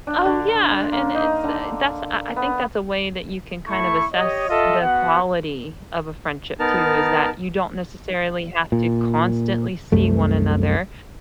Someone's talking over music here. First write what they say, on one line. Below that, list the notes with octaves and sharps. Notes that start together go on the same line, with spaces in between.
Oh, yeah, and it's, uh that's, I I think that's a way that you can kind of assess the quality of a friendship too, is that you don't necessarily have to constantly see one another,
D4
D3
C6
A#3
D#4
D3
B3
A3 E4 C#6
G4 C#5 D#5
F4 A4 D#5 E5
B3 F#4 F#5
B3 D#4 A#4 A5 F6
A#2
C2 F#2 A3